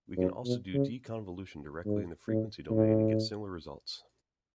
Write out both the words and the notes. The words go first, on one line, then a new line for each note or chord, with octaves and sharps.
We can also do deconvolution directly in the frequency domain and get similar results.
F#2
B2
C#3
G#2
A2
A2